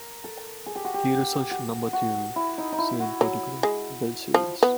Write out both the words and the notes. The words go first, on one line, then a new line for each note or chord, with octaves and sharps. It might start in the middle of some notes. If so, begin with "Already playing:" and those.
He researched number theory; see in particular Bell series.
Already playing: A#4
A4
G#4
G4
F#4
G4
F#4
F#4
E4
D#4
D#4
E4
F#4
F#3
G#3
F3
B3